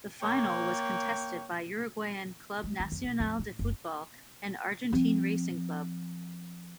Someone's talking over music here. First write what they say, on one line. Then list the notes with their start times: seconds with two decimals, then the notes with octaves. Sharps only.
The final was contested by Uruguayan Club Nacional de Football and Argentine Racing Club.
0.22 A#3 C#5 G5
2.64 G#3
2.80 D#3
2.92 F2
3.04 B2
3.20 F2
3.39 A2
3.59 F#1
4.93 F3 C4